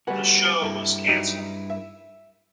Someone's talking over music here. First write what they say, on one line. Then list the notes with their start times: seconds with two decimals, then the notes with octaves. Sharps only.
The show was canceled.
0.07 G3 B3 F#4 B4 F#5 G#5
0.62 G2 E4 A4
1.08 F#3 G3 D#4
1.70 E5